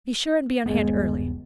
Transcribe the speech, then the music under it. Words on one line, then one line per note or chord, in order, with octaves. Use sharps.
"Be sure and be on hand early."
D#1 G2 G#3 B3